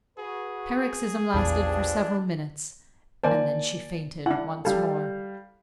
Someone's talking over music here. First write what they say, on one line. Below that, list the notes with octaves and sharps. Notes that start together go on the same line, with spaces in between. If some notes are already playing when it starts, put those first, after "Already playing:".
The paroxysm lasted for several minutes and then she fainted once more.
F#4 G#4 B4
A#1 E2 G2 E3 F3 D4
D#3 A#3 C5 D5 G#5 A5
D4 E4 F#5
G3 A4 F5